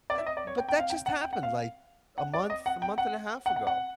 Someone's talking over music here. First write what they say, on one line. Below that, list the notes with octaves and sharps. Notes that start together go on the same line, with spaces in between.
eh but that just happened, like, a month a month and a half ago.
D5
E5
D#5
D5
C#5
G5
G5
F5
G5
F#5
G5
F#5
F5
F#5
D5
D#5
F#5
G5
F#5
F#5
F#5
F#5